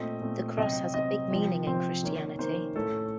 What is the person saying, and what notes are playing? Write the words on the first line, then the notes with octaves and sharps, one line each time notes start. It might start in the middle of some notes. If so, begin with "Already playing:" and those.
The cross has a big meaning in Christianity.
Already playing: A#2 A3 C4 D#5
A#2 A3 C4
C3 F#3 C4 D#5
C3 F#3 C4 D#5
C3 F3 C4
C3 F3 C4 C5
D#3 A#3 C#4
D#3 A#3 C#4 C5
A2 A3 C#4 A4